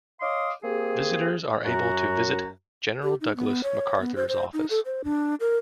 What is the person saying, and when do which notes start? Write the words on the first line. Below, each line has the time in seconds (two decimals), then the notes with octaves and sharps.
Visitors are able to visit General Douglas MacArthur's office.
0.21 C#5 D#5 F5 C6 D6 D#6
0.63 A#3 C4 G4 G#4
1.65 F#2 F#4 A#5
3.03 G4
3.21 D#4
3.36 B3
3.63 C#5
4.01 B3
4.16 C5
4.29 C5
4.53 D#4
4.70 A4
4.86 C5
5.04 D4
5.40 A#4